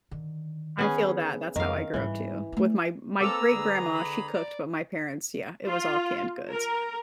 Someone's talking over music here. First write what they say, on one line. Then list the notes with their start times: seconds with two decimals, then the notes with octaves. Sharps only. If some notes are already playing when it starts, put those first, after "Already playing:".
I feel that, that's how I grew up too, with my my great grandma, she cooked, but my parents yeah, it was all canned goods.
0.11 D3 D#3
0.79 B3 C#4 G#4
1.56 F2 D#3 C#4 F5
1.94 G#2 E3 G3
2.52 A3 E4
3.20 A#3 C4 A4 B4 A#5 D6 E6 F7
3.53 D3 G#4
3.92 B5
4.33 D5
5.65 F4
6.48 A#4